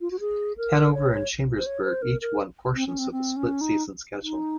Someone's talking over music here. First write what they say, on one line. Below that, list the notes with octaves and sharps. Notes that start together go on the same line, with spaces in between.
Hanover and Chambersburg each won portions of the split season schedule.
F4
F#4
G#4
A#4
C#5
C5
C#5
C5
A#4
A#4
C4
C#4
C4
C4
C#4
D#4
D#4